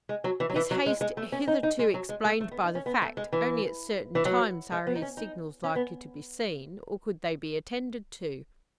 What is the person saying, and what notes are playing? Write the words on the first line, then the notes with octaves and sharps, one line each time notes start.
His haste hitherto explained by the fact, only at certain times are his signals likely to be seen, or could they be attended to.
G#3
F#3
E3
F#3
E3
F#3
G#3
G#3
A3
C#4
D#4
D#4
G#3
F#3
G#3
A3
A3
B3
D#4
C#4
B3
A3
G#3
E3
E3
F#3
G#3
B3
D#4
C#4
D#4
C#4
B3